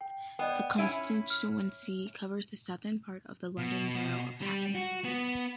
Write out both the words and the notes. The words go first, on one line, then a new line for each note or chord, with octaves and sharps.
The constituency covers the southern part of the London Borough of Hackney.
G5
B3 D5 D#5 G5
C#4 E4 E6 D7 D#7
F6
B2
G3
F#4
B3